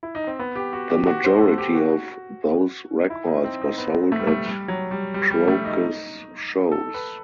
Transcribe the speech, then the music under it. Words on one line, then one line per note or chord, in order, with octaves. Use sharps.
The majority of those records were sold at Croce's shows.
E4
D#4
C4
B3
G4
F#4
G4
F#4
C5
A4
G4
F#4
D#4
E4
D#4
C4
D#4
B3
A3
G3
A3
G3
F#3
G3
G3
G3
A3
D#4
A4
B4